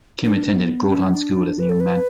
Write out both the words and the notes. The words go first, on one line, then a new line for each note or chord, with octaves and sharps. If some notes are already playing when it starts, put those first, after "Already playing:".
Kim attended Groton School as a young man.
D4
B3
C#4
D4
B4
A4
B4